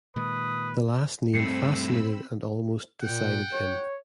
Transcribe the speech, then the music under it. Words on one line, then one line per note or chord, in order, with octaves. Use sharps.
The last name fascinated and almost decided him.
A#2 D#3 G#3 B4 D#6
G2 A3 C4 B5 E6 C7 C#7
A#2 F#5 G5
C#5